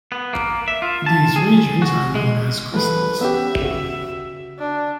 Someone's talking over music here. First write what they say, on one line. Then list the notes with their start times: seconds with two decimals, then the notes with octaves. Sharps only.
These regions are known as crystals.
0.12 B3
0.33 A#3
0.68 E5
0.82 F4
1.06 A5
1.36 G#4
1.82 F#4
2.15 G#3
2.74 E3 A4 B4
3.21 B3 C#4 G4 E5
3.62 C#3 F#4
4.58 D4